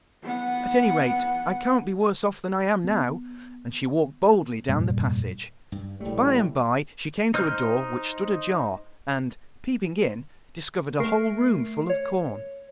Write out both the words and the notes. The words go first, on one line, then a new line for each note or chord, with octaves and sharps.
At any rate, I can't be worse off than I am now.' And she walked boldly down the passage. By-and-by she came to a door which stood ajar, and, peeping in, discovered a whole room full of corn.
B3 F#5
B3
F1 G2 A#2 G3
G2
A#1 A2 G3 A3
D#4 C5 F6 G6
A3 A#4 C7
C#5